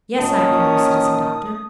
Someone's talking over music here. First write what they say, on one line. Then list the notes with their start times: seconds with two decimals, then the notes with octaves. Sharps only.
"Yes, I know you, Citizen Doctor."
0.18 A#2 D#3 C#4 A5 D#6